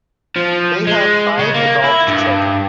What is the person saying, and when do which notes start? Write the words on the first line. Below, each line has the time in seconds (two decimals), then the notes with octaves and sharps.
They have five adult children.
0.36 F3
0.87 G#3
1.39 C#3
1.54 A#3
1.84 E4
2.08 G2